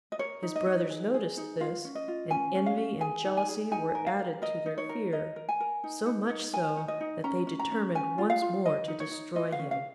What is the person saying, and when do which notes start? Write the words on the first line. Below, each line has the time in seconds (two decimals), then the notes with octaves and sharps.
His brothers noticed this, and envy and jealousy were added to their fear, so much so that they determined once more to destroy him.
0.12 D#5
0.19 A#4 C#5
0.43 D#4
0.56 D#5
0.66 D#4
0.90 G#4
1.14 G#4
1.37 D#4
1.61 F4 F5
1.85 C#4
1.95 D#5
2.08 F4
2.31 C#4 G#5
2.55 C#4
2.66 F5
2.77 C#4
3.01 G#4 G#5
3.25 D#4
3.37 G#5
3.48 G#4
3.71 D#4 G#5
3.95 A#4
4.07 F5
4.19 A#4
4.42 A#4 D#5
4.66 D#4
4.78 C#5
4.89 A#4
5.12 A#4 D#5
5.36 A#4
5.49 G#5
5.60 A#4
5.84 D#4
6.06 D#4
6.30 D#4
6.53 A#4 G#5
6.77 D#4
6.88 D#5
7.00 D#4
7.24 C#4 A#5
7.47 C#4
7.59 A#5
7.71 C#4
7.95 C#4 G#5
8.18 F4
8.30 F5
8.42 F4
8.65 A#4 D#5
8.88 D#4
9.00 C#5
9.11 D#4
9.35 F4 D#5
9.52 F5
9.59 C#4
9.71 F5